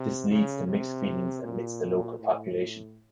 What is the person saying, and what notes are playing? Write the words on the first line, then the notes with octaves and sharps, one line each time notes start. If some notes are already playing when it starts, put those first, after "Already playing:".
This leads to mixed feelings amidst the local population.
Already playing: C3
C#3
C3
A#2
A2